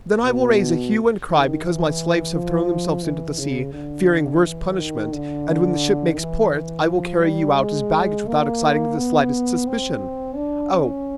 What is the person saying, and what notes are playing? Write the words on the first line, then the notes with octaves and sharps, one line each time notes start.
Then I will raise a hue and cry because my slaves have thrown themselves into the sea, fearing worse punishment; and when the ship makes port, I will carry you out as baggage without exciting the slightest suspicion!" "Oh!
B2
D#3
E3
F3
E3
C#3
D3
E3
D#3
D3
E3
F3
G3
G#3
A#3
B3
C4
D4
C#4